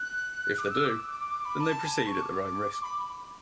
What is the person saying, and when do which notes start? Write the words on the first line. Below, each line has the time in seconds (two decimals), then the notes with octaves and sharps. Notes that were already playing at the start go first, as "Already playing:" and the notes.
If they do, then they proceed at their own risk.
Already playing: F#6
0.58 D6
0.70 E6
0.85 D6
1.10 D6
1.20 D6
1.30 D6
1.45 B5
1.60 A5
1.84 G#5
1.90 A5
2.06 C#6
2.22 D6
2.83 B5